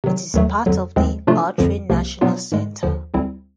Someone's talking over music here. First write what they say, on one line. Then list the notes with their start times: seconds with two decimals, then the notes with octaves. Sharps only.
It is part of the Autry National Center.
0.04 C3 D#3 F#3
0.34 D#2 D#3 F#3 A3
0.66 F2 D3 F#3
0.96 D#2 C#3 F3 G#3 C4
1.27 C3 F3 A3 D4 F4
1.58 F2 D3 F3
1.90 C2 C3 F3 A#3
2.21 B2 F#3 B3 D4 F4
2.52 G#2 D#3 G#3
2.83 D#2 D3 F3
3.14 D2 D3 G3 C4 E4